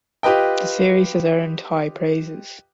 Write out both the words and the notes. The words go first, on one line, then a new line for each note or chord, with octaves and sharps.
The series has earned high praises.
F4 G4 B4 D#5 G5